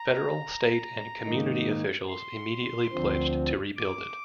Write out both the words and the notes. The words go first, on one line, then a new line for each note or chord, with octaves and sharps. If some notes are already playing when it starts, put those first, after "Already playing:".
Federal, state, and community officials immediately pledged to rebuild it.
Already playing: A#5
G#2 D#3 A#3 D#4
C6
D2 D3 F3 C4
D6